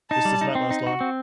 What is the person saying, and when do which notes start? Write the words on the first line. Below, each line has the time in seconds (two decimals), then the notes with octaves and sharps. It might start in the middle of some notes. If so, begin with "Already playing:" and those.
This does not last long.
0.10 D#4 A5
0.25 G3
0.41 D#4
0.55 C4
0.71 D#4
0.87 F#4
1.01 C4